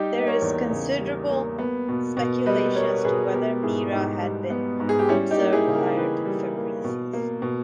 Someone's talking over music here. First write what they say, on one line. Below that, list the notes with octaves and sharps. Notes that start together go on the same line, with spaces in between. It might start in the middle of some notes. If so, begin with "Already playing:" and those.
There is considerable speculation as to whether Mira had been observed prior to Fabricius.
Already playing: G3 D#4 G4
A#3
D#5
A#4 C#5
E2
C#3
G3
A#3
B3
B2
B2
G3 B4 D#5
B3 A#4 C#5
B2 G#4 B4
B3 G4 A#4
G#2 E4 G#4
G#2 D#4 G4
G3
B3
G#2
G#4
G4
G3 C#4 E4
D#4 G4
A#3
E4 G#4
C#3
G4 A#4
E3 G#4 B4
G3
A#3
B2
A#3
B2